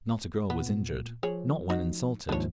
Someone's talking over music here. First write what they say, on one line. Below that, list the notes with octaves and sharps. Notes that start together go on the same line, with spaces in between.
Not a girl was injured, not one insulted.
A#2 B3
F3 G#4 C#5
D#4 F#4
D#2 G#2 F3 D4 C#5